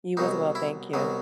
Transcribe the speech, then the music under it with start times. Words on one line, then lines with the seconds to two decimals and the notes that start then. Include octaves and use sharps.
You as well, thank you.
0.17 C2 B2 F#3 D#4
0.55 E4
0.93 C2 B2 F#3